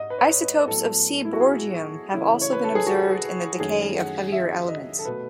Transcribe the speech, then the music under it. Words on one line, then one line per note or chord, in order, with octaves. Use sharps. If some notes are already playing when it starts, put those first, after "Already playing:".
Isotopes of seaborgium have also been observed in the decay of heavier elements.
Already playing: G#2 D#5
B4
C#5
B4
A2 F#3 B3 A4
E4
F#4
G#4
C#3 E3 A3 C#4 E4
C#5
B4
A4
G#4
F#4
F#2 D#3 A3 C#4 G#4
F#5
E5
D#5
A4
B2 A3 B4